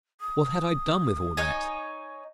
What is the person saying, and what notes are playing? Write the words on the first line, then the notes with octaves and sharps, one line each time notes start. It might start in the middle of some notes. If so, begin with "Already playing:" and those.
What had I done with all that?
D#6
D#4 C#5 G#5